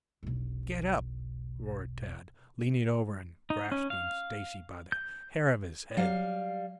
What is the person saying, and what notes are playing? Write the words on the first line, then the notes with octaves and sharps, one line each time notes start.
"Get up!" roared Tad, leaning over and grasping Stacy by the hair of his head.
E1 B1
D#4
C#4
F5
G6
F#3 G3 F5